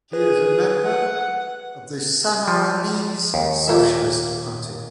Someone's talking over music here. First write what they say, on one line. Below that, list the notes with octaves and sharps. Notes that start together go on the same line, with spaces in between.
He is a member of the Sammarinese Socialist Party.
G#4 B4
F#5
F3
D#2
A#2 A#3 E5